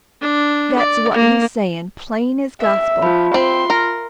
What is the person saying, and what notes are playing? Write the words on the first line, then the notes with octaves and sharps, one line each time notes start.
That's what he's saying, plain as gospel!
D4
D5
A#3
E5
F3 F4 B5
C4 C6
A#4